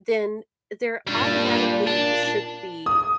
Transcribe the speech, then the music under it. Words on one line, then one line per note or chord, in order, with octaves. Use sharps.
then there automatically should be,
A#2 G3 D4
D4
D#6